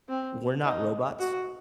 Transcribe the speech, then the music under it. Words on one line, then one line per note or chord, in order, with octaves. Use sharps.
we're not robots,
C4
D#4
F#4